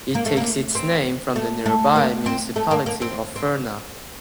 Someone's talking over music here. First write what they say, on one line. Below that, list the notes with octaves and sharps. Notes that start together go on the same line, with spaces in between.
It takes its name from the nearby municipality of Furna.
A#3
A3
A#3
C4
A3
A3
A#3
C4
A3
A#3
A#3
C4
C4